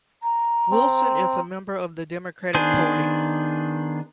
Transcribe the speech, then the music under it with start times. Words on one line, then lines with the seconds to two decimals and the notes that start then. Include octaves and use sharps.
Wilson is a member of the Democratic Party.
0.23 A#5
0.71 C4
2.54 D#3 B3 D4 G#4 C5